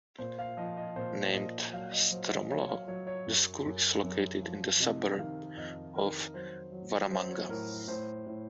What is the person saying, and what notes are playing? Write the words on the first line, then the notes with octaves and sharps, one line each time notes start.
Named Stromlo, the school is located in the suburb of Waramanga.
A#2 C5
F5
F3 D#5
D#5
A#2 C5
A#2 D#5
F#3 F5
D#5
F#3 C5
D#5
F#3 C#5
F5
F#3 C#5
C#5
F#2
F#2
F#2
F3
C3 D#5
D#3 F5
F2 D#5
D#3 A#4
F#3 C5
F#3
F#3 C5
C#5
A2 A#4
A2 C5
A2